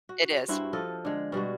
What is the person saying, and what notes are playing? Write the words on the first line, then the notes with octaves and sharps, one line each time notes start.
It is.
F#4
G2 E4 F#4 C5
F3 A4 D#5
D3 G#3
B2 G3 G#3 F#4